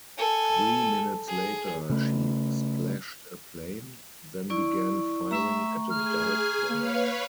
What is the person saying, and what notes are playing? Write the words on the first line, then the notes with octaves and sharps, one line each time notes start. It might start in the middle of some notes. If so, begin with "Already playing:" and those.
Three minutes later, she splashed a plane, then began firing at a dive bomber.
A4 G#5
G#4
C#3 A3
E4 D5 C#6
A3 E5 A#5 C#6
G#4 G#5 F6
A#3 B4 C#5 F5